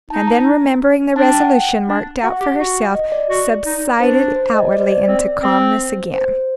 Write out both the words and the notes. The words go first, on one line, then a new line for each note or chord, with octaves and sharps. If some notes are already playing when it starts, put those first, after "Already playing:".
And then remembering the resolution marked out for herself, subsided outwardly into calmness again.
D#4 A5
A#5
D4 A5
G5
F#5
D4
F#4 F#5
G4
F#4
D#5
D5
F#4
D#4
D4 C5
C5
D#5
D5
C5
D5
C4
C4 C5
C5